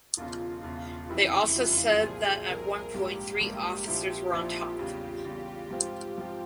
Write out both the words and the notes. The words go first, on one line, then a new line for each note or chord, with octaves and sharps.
They also said that at one point three officers were on top of him.
E1 E2 C#3 F4
E1 E2 C#3
F1 F2 C#3 E3 G3 E4
F1 F2 C#3 E3 G3 F4
C2 A#2 F3 G#4
C2 A#2 F3 A#4
A#1 G#2 G3 A#3 G4
A#1 G#2 G3 A#3
A#1 A#2 F3 C4 E4 G4
A#1 A#2 F3 C4 E4 F4
E2 C#3 G3
E2 C#3 G3
G#2 F3 C4 F4
G#2 F3 C4 F4